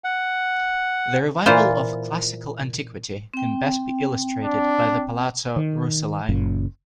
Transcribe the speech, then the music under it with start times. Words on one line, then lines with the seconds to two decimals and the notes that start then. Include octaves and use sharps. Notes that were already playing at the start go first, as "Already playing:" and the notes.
The revival of classical antiquity can best be illustrated by the Palazzo Rucellai.
0.04 F#5
1.46 A#2 E3 F4 C5
3.34 C4 G5
4.43 D4
5.56 D#3
6.29 F#1 F#2 A#2 C#3